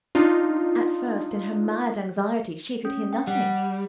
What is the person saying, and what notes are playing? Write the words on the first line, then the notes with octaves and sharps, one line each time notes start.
At first, in her mad anxiety, she could hear nothing.
D4 D#4 F4
C#4
G5
G3 F#5